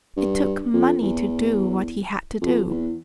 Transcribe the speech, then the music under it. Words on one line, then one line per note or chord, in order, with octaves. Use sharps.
It took money to do what he had to do.
G2
F2
E2
F2
E2